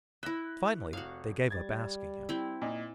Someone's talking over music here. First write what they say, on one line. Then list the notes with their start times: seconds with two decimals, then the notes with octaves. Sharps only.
Finally they gave up asking him.
0.23 E4 E5 F#6 A#6
0.93 F1 F#4 F5
1.50 G3 G#6 A6
2.29 C4 E4
2.62 A#2 D#4